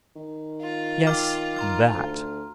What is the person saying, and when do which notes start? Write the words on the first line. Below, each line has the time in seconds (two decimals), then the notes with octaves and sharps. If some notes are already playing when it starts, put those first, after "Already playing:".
Yes, that.
0.16 D#3
0.62 F4
1.07 G5 D6 F6
1.56 A#5 C6 F6
1.93 D2